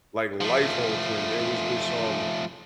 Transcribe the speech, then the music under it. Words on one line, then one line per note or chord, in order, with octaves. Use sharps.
like, life altering, there was this, um
F3 A3